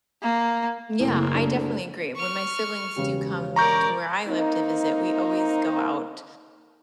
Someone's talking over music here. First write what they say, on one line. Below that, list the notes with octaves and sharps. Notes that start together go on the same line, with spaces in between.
Yeah. I definitely agree. When my siblings do come to where I live to visit, we always go out
A#3
F#1 A2 A#3
D2
C#6 F6
E1 C#3 G4
A#4 D5 A#5 C#6 G6
A#3 C4 D#4